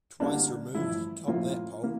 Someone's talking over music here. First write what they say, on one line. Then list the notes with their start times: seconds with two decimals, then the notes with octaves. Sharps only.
"Twice Removed" topped that poll.
0.20 D2 D3 G3 A#3 D4
0.74 A1 G2 F3 E4
1.28 A#1 A2 F3 A#3 F4
1.82 E3 A#3